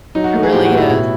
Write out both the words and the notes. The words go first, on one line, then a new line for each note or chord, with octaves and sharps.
It really is.
F#3 D#4
F#4
A3
G#4
A2 G4
F#4
A2
E4
B2 E4